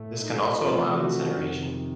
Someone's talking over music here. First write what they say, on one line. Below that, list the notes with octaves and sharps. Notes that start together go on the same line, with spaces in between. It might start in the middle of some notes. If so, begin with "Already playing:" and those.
This can also allow incineration.
Already playing: A2 A3
D#4
C3 F3 A3 F4
F#4
F2 C3 D#3